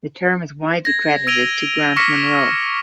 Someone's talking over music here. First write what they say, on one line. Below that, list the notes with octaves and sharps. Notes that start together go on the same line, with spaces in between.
The term is widely credited to Grant Munro.
G#6 A#6
E6 G#6 D7 D#7 F7 G7
C#6 D6 F6 A#6 B6 C#7